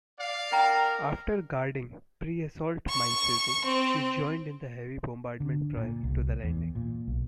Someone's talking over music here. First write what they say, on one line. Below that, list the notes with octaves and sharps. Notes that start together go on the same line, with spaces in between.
After guarding preassault minesweeping, she joined in the heavy bombardment prior to the landing.
D5 F5
D4 A#4 G5 A#5
C#6
C4
D3
A#2
C2
E2
A#2
B1